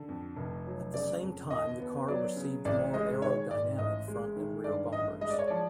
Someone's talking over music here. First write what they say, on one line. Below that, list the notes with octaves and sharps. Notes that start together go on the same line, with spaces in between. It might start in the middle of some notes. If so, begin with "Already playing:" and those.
At the same time the car received more aerodynamic front and rear bumpers.
Already playing: D3
F2
F1
F#3
C#3 D5
F2
D#2 D#5
B3
F#3 D5
C#3
A1 D5
G#3 D#5
D#3 C#5
G#2 D5
A1 D#5
G#3
D#3
G2 D5
A1 D#5
G#3 D#5
D5
C#5
F3 D5